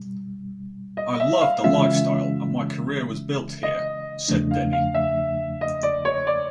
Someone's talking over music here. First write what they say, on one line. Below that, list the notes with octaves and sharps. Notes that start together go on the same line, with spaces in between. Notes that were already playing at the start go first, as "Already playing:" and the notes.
"I loved the lifestyle and my career was built here," said Denny.
Already playing: B2 G3
D#5
E5
F5
C#3 E3 G#3 C#4 F4 E5
D#5
E2 C#3 F3 A3 D4
F5
F5
E5
D#5
D5
C#5
D5